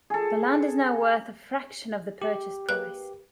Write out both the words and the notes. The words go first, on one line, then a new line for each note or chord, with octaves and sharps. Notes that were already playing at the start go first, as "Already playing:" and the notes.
The land is now worth a fraction of the purchase price.
G#4 A4
G4
G#3 A#3 B4 F#6